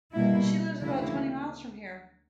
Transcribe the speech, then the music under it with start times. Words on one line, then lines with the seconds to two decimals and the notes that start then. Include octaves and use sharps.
She lives about twenty miles from here.
0.13 B2 G3 A#3 E4
0.82 D2 C#3 E3 A#3 E4